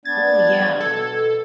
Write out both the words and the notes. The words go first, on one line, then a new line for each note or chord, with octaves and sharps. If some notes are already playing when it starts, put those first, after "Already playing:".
Oh, yeah.
B3 D4 G#6 A6
B2 A4